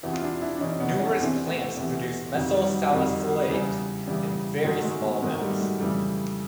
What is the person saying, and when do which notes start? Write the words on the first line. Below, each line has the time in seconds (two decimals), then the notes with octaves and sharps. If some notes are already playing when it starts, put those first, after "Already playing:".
Numerous plants produce methyl salicylate in very small amounts.
0.03 E2 C3 E3 E4 F#4
0.13 F4
0.22 D4 E4
0.42 D4 E4
0.55 D4
0.61 E2 C3 E3 C#4 D#4
0.80 B3 C#4
0.99 B3 C#4
1.19 E2 C3 E3 C4 D4
1.47 A3 B3
1.77 E2 C3 E3
2.34 F2 C3 D#3 F#3
2.53 G3
2.73 F#3
2.92 F2 C3 D#3 G3
3.20 F#3
3.49 E2 C#3 E3 G3
4.07 E2 C#3 E3 G3
4.65 G#2 D#3 F#3 G#3
4.77 A3
4.84 F#3 G#3
5.03 A3 B3
5.22 G#2 D#3 G#3 A#3
5.41 G3 A3
5.61 F#3 G#3
5.80 F2 C#3 E3 G3 A3